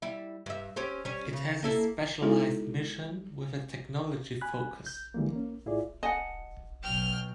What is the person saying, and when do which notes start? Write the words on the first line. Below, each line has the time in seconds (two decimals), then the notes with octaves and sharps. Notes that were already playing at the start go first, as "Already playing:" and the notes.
It has a specialized mission with a technology focus.
0.02 G3 E4
0.46 G2 E5
0.76 C4 C#4 G4
1.05 G3 C#4
1.33 C#3
1.63 A#3 E4 A4
2.21 G#3 B3 D#4 E4 F#4 A4
4.41 G#5 B5 F#6
4.86 G6
5.14 D3 E3 G3 G#3 A#3
5.33 A#3 C#4
5.66 A2 E4 F4 G#4 D5
6.03 D#5 F#5 G#5 A5
6.83 B2 F#3 G5 F6